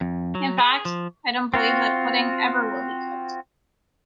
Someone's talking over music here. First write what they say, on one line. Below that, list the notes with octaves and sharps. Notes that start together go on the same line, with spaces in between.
In fact, I don’t believe that pudding ever will be cooked!
F2
F#3
G#4
F3
C4 F4 F#4